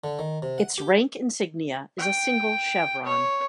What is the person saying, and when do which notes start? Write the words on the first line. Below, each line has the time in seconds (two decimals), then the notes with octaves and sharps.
Its rank insignia is a single chevron.
0.04 D3
0.19 D#3
0.42 C3
0.58 F#5
0.78 G4
1.98 G5
3.05 C#5